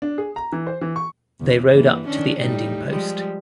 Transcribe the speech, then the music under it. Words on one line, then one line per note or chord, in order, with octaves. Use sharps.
They rode up to the ending post.
D4
G#4
A#5
E3
C5
E3
C#6
E2 C#3
G2 E3 A#3
D#3 C#4 D4
A2 G3 D#4
F3 G3 G#3